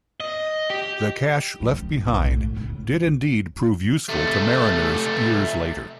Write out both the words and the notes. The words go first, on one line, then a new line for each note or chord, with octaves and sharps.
The cache left behind did indeed prove useful to mariners years later.
D#5
G4
C#3 F3
C#3
E2
B1
A2
C#3
C3 A3